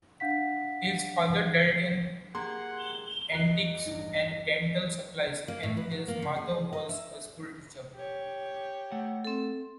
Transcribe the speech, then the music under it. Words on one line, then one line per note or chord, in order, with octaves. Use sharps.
His father dealt in antiques and dental supplies, and his mother was a schoolteacher.
D4 F5 F#5 B6
A#3 G4 G#4 F#5 C6 G#6
F2 D#5 A#5 F#6
A1 E2 G2 D#4
A#3
A2
B4
F#3
A#3
C#3
G#4
D#5
E5
G4 C#5
A3 F#5
C4 A4